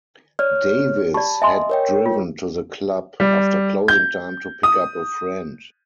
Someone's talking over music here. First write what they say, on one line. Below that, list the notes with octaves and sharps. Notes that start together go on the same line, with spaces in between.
Davis had driven to the club after closing time to pick up a friend.
C#5 D5 F6
G4 D5 A5 B5
D#5 E5 G#5 C6
A#4 C#5 G5
F4
G3
G6
D#6